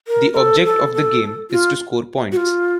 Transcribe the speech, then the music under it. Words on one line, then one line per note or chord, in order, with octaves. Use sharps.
The object of the game is to score points.
A#4
A#4
A4
A4
A4
F4
F#4
F4